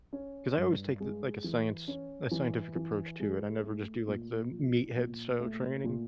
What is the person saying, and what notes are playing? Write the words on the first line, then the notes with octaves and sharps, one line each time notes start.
'Cause I always take the like a science a scientific approach to it, I never just do, like, the m meathead style training.
C#4
G2
G#3
E3
C#4
E3
E3
G#3
A3
A#2
F3
A#2
A3
A#2